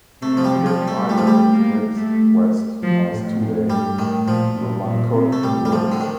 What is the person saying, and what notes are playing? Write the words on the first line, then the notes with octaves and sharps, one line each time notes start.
The state highway heads west as two-lane Romancoke Road.
C3 A3
F3
G3
F3
F3
G3
A3
G3 A3
F3
G3
A#3
A3
F3
A2
A2
G2 G3
A2 D#3
A#2 F3
A#2
A#2
C3
A3
A2 G3
G3
F3
D3
D#3